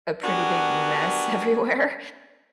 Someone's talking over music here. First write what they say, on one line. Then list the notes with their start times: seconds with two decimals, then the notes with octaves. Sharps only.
a pretty big mess everywhere,
0.23 B3 D4 F#4 G4 A#4 G#5